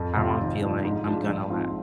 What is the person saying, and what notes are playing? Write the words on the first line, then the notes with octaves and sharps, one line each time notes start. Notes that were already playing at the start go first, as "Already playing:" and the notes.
how I'm feeling; I'm gonna laugh.
Already playing: F2
C3 F3 C4 F4
G#1
G2 F3
G#2
F3 G#3 D4
A#1
G#2 F3 C4 F4